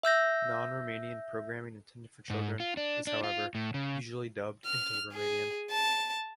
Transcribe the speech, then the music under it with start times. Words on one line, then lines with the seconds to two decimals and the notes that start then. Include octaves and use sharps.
Non-Romanian programming intended for children, is however, usually dubbed into Romanian.
0.03 E5 E6 G6 A#6
2.30 G#2
2.60 F4
2.77 D4
3.07 D4
3.24 F4
3.55 A2
3.74 C#3
4.66 F6
5.13 G#4
5.71 A5